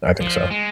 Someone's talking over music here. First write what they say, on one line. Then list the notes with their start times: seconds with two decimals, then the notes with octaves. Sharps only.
I think so.
0.21 F3
0.51 G#3